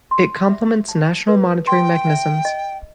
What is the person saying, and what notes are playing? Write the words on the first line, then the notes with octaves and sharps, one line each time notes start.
It complements national monitoring mechanisms.
C6
E5
A5
B4
G5 C6
E5
D#5